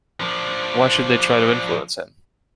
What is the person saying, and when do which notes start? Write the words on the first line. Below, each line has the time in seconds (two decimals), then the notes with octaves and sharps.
Why should they try to influence him?
0.20 F3 D4